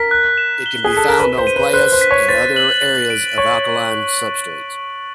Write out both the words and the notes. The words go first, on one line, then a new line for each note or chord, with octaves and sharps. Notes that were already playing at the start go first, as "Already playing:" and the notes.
It can be found on playas and other areas of alkaline substrates.
Already playing: A#4 B6
F#6
E7
G7
G#4
A4 B6
A#4
B4 F#6
C5
D#7
B4
C5 F#6
C5
B6
C#5
C5 A6
F#7
A6
D7
C#5 C#6
A6